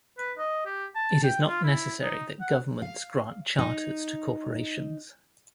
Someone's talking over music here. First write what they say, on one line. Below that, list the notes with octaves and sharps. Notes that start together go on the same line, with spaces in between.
It is not necessary that governments grant charters to corporations.
B4
D#5
G4
A5
G5
F4
E4
D#4
F#5
F5
D#4